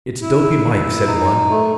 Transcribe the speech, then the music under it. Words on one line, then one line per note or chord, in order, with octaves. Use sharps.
"It's Dopy Mike," said one.
E4
D#4
A3